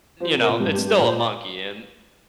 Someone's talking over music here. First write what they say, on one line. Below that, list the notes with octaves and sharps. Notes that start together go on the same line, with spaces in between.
you know, it's still a monkey, and,
F3 C5
C3
A#4
A#2
G2 G4
G4
G2
G4
A#2 A#4
C5
D5